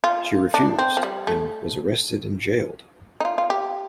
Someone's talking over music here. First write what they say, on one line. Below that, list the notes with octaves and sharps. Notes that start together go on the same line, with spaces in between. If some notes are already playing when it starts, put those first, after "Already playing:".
She refused, and was arrested and jailed.
F4
D4
C4
F3
G3
A3
D#4
F4
F4
G4